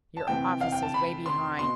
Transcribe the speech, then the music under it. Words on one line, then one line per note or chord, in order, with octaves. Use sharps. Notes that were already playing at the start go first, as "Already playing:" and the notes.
Your office is way behind.
A5
C3 E3 G5
F5
G5
A5
B5
C6
B2 C6